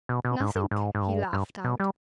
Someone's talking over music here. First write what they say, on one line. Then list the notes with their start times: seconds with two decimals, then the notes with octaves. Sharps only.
"Nothink!" he laughed out.
0.09 B2
0.25 B2
0.40 G#2
0.55 G2
0.71 G#2
0.95 G#2
1.02 G2
1.33 G2
1.64 B2
1.80 G3